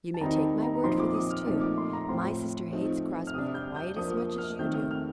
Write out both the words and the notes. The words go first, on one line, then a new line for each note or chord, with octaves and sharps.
You may take my word for this, too,--my sister hates Crosbie quite as much as you do.
A5
D#3 G3 C4 D#4 A#5
A#5
A#5
A#2 F3 C4 D#4 C6
D6
D#6
F6
A#2 F3 A3 C4 D#4 D6
D6
C6
A#5
A2 F3 C4 C6
F3 A3 C4 D#4
F6
C3 G3 D4 D#6
G6
G6
F3 A#3 D4 D#6
D#6
F6
D#3 A3 C4 G6
F6
F6